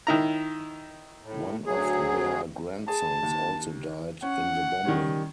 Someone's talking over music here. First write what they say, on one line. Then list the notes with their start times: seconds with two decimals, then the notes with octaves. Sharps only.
One of their grandsons also died in the bombing.
0.07 D#3 E4 A#5
1.22 A2
1.66 D2 F#3 G#4
2.88 G#4 A5
3.23 D#2
4.22 C#4 F#5
4.85 D#3 G3 C#4